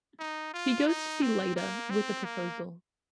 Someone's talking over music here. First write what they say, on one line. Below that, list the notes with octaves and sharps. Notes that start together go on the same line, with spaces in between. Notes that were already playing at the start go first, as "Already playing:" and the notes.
He goes to see Lyta with a proposal.
D#4
F4
D#4
C4
A#3
C4
A#3